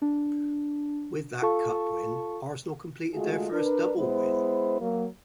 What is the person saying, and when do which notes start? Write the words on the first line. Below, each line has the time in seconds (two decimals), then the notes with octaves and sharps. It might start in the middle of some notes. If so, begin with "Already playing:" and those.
With that Cup win, Arsenal completed their first Double win.
0.02 D4
1.42 F4 A4 F5 A5 C#6
3.14 D3 G#3 A3 F4 F#4 G#4
3.51 D4 A#4 B4
3.97 G#3 B3 E4 C5
4.80 F#3 A#3